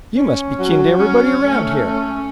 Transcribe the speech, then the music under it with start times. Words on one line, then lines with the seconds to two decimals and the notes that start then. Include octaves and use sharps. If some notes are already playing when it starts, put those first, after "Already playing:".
"You must be kin to everybody around here?"
0.15 C#4
0.57 F#3
0.99 C#4
1.41 A3
1.83 C#4